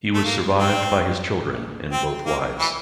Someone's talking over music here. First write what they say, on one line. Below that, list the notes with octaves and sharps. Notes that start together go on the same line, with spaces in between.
He was survived by his children and both wives.
A3
A#3
C4
C4
A#3
E3